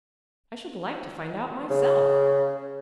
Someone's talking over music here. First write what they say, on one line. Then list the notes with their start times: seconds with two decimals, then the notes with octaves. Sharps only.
"I should like to find out myself."
1.70 C#3